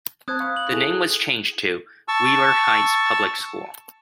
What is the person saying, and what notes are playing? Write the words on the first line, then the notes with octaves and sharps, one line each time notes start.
The name was changed to Wheeler Heights Public School.
C4 C5 A5 D#6 F#6 G#6
F5 B5 C#6
F#7
E4 G#4 A4
A5 C#6 E6